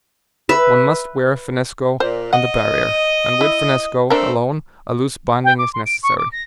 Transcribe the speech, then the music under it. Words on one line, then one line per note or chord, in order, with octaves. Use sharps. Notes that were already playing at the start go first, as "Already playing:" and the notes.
One must wear finnesko on the Barrier, and with finnesko alone a loose binding is necessary.
B4 E5
A#2 C5
D#5 F#5
E4
A3 C4 D4 A4 A#4
G5
D6
C6
D7
C#6
D6
A#6